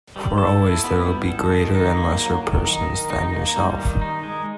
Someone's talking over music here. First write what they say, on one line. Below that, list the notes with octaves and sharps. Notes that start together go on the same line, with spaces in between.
For always there will be greater and lesser persons than yourself.
G3
A4
E4
B3
G3
A4
D#3
D#4
A#3
F#3
D#3
D#4
D#3
D#4
A#3
G3
D#3
D#4
G#3